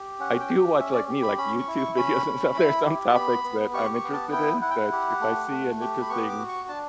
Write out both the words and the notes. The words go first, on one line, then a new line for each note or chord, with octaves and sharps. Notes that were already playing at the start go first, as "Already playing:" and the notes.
I do watch, like, me, like, YouTube videos and stuff, there are some topics that I'm interested in that if I see an interesting
Already playing: G4
C#4 F#5
G5
G4
C#4 E5
D5
G4
B5
C#4 B5
C#6
E4
C#6
C#4 B5
C#4
E4
G4
A5
B3 B5
B3
G4 C#6
C#6
B3
A5
E4 G5
E4 F#5
G5
F#5
G4
A3
A3
G4
B5
B3 C#6
D6
F#4
C#6
D4 A5